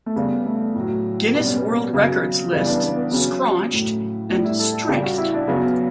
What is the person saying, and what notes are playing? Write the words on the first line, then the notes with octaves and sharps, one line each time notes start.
"Guinness World Records" lists "scraunched" and "strengthed".
A3
C#3 G3 B3
A3
A2 F#3
B2 G3 B3
C#4
B3
C#3 F#3
C#3 E3 G3 B3
D4
B3
B3
C#3 F#3 C#4
A2 F#3
A2 G3 D4
E4
A4
A4
C#3 G3 G4
F#4
E4
D4
C#3 F#3 B3